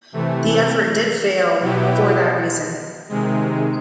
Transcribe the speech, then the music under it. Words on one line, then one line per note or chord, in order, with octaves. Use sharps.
The effort did fail, for that reason.
C3 E3 A3
B2 F#3 B3 E4 G4
C3 D#3 G#3